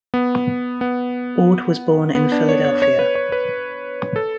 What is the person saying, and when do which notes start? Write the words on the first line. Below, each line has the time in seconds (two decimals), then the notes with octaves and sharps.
Ord was born in Philadelphia.
0.14 B3
0.81 B3
2.15 B3
2.32 D4
2.49 C#5
2.65 C#5
2.82 C#5
2.99 B4
3.15 C#5
3.32 B4
4.16 A4